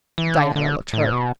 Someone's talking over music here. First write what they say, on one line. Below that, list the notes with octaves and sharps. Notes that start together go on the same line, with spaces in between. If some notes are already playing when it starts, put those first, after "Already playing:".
Diana looked hurt.
E3
D3
D3
A2
B2